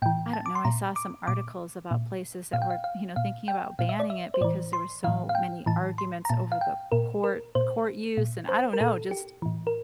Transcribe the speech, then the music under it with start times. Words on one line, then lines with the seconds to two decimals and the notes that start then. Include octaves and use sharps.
I don't know, I saw some articles about places that were, you know, thinking about banning it because there were so many arguments over the court court use, and I don't know, just
0.02 A2 E3 G5
0.33 A5
0.46 D6
0.55 C6
0.65 A#2 A#5
0.96 D6
1.27 A#2 D6
1.91 A#2
2.53 A#2 F5
2.62 G5
2.70 F5
2.84 F5
3.16 A#2 F5
3.48 G5
3.79 A#2 F5
3.89 E5
4.00 D5
4.10 E5
4.34 C5
4.41 A2 E3 D5
4.73 C6
5.04 A2 E3 F5
5.29 F5
5.35 G5
5.66 A2 E3 A5
5.98 C6
6.25 A#5
6.29 A#2 A5
6.52 F5
6.61 G5
6.92 A#2 A#4
7.24 A#4
7.55 A#2 C5
8.17 A#2
8.49 C5
8.73 A#4
8.81 A#2 A4
9.11 G4
9.42 A2 E3
9.67 A#4